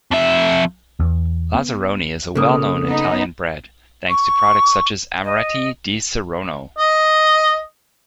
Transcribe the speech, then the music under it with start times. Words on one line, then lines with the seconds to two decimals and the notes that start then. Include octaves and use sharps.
Lazzaroni is a well-known Italian brand thanks to products such as Amaretti di Saronno.
0.12 F2 E5
1.00 E2
1.55 B3
2.35 C#3 A#3 A4 D#6
2.86 B3 D#4
4.09 C#6
5.25 D#5
6.78 D#5